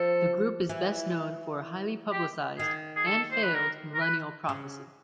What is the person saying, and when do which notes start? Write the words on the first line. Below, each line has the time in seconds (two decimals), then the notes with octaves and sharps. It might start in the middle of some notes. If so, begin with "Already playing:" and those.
The group is best known for a highly publicized, and failed, millennial prophecy.
Already playing: F3 A4
0.69 E3
2.12 G4
2.58 D#3 G#4
2.96 G#4
3.06 A4
3.32 C5
3.43 B4
3.54 A#4
3.94 A#4
4.01 B4
4.49 C#3